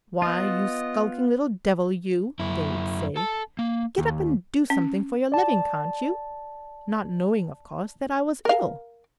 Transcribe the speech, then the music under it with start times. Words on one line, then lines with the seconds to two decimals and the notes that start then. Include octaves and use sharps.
"Why, you skulking little devil, you," they would say, "get up and do something for your living, can't you?"--not knowing, of course, that I was ill.
0.22 B3 F4 D#5
2.39 F#2 E4
3.16 A4 A5
3.59 A#3
3.98 D#2
4.70 C#4
5.32 D5 A5
8.45 A#4 F5